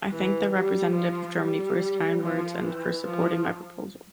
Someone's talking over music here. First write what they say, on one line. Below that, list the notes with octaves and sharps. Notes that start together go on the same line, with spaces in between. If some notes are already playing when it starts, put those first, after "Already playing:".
I thank the representative of Germany for his kind words and for supporting my proposal.
E3
G3
F3
G3
F3
E3
F3